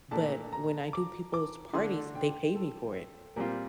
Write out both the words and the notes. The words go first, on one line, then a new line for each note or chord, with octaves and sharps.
but when I do people's parties, they pay me for it.
A#2 A3 D4 A5
A#5
D6
D6
D3 A3 D4 C6
G5
A4
A#2 G3 C4 F4 A#4